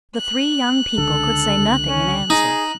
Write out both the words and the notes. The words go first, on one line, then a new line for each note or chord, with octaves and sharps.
The three young people could say nothing in answer.
F#6
C#2 D3 A4
C#4
D#4 G#4